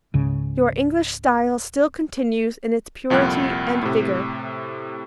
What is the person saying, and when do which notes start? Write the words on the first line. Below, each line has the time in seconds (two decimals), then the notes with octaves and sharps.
Your English style still continues in its purity and vigour.
0.14 C#2 G#2 C#3
3.10 C2 F2 A#2 G5 F#6
3.82 A2 C3